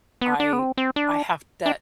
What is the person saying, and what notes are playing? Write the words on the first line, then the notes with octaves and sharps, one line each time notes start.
I I have that
B3
D4
B3
C4
C4
D4
D4